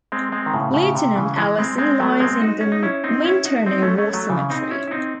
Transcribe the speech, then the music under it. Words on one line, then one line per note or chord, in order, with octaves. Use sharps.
Lieutenant Allison lies in the Minturno War Cemetery.
G#3 C4
G#3 C4
D#3
A2 C#3
A2 C#3
C3
C#3 E3
E3 G#3
G#3 C4
G#3 C4
F#3 A3
G#3 C4
D#4 F#4
C#4
D#4
C#4 E4
C4 D#4
C#4 E4
D#4 F#4
C4 D#4
A3 C#4
A3 C#4
F#3 A3
C#3 E3
C4 D#4
C#4 E4
E4
C4 D#4